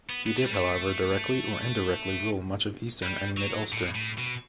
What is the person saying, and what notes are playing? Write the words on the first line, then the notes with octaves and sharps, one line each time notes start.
He did however directly or indirectly rule much of eastern and mid-Ulster.
B3
B3
A3
G3
A3
G3
F#3
A2
A2
B2